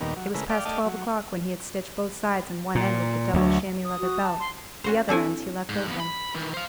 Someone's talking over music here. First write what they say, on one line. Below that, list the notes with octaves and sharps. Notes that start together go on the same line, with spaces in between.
It was past twelve o'clock when he had stitched both sides and one end of the double chamois-leather belt; the other end he left open.
D#2 A#2 D#3 G3 B3 A#4
F#3
C#3 G#3 A3 E4 A#4 B4
D5 F5 G5
A3 D5 D#5 F5 G5 A5
F#3
A#2
D2 F#3
D#6
F#4
A5
C6
C#4 F#4 C5
C4 D4 E4 A4 G#5
G#2
F2 B3
B5
D#3 E3
C5 F5